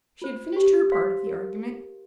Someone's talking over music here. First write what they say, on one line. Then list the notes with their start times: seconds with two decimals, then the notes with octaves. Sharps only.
She had finished her part of the argument.
0.22 F4 C5
0.56 G4
0.92 C5 F5 C6
1.27 A#4